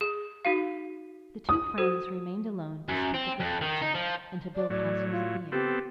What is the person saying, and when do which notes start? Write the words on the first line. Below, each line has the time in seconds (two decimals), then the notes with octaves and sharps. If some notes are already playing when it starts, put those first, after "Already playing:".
The two friends remained alone to speak of the future and to build castles in the air.
0.01 G#4
0.45 D#4 F#4 F5
1.49 D#6
1.78 F#4 A4 C5
2.89 F#2
3.14 C4
3.40 F2
3.61 D#3
3.81 D#4
3.94 F3
4.55 D5
4.70 A2 F#3 D5
5.12 F4
5.52 B3 C4 G4 A4